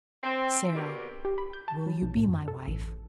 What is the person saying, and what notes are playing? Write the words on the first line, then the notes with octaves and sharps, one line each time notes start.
"Sara, will you be my wife?"
C4
B2 D3 A#3 G4
G4
B5
G6
A5
F#3
B1
A2
F#2
A4
A1